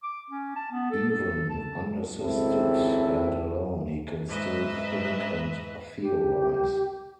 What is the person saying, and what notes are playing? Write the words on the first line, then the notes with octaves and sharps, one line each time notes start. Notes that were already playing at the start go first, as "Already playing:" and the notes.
Even unassisted and alone, he can still think and theorize.
D6
C#4
A5
B3
A4
A4
A5
G#1 C#2 C4 E4 A4
G#2 B4 D#5 E5
G4